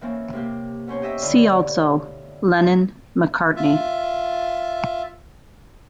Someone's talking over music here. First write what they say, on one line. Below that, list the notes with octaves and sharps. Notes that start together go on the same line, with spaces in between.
See also: Lennon-McCartney.
E3 A#3 C4 C#4
C3 A#3 G4
B2 C#4 C5 C#5
G4 D#5 E5 G5
D3 D#4 F4 D5 B5
F4 E5